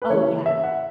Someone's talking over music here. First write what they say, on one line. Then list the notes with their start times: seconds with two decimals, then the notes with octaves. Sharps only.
Oh, yeah.
0.02 B4
0.10 C#3 E3 A#3 C#5
0.46 E5
0.64 F#5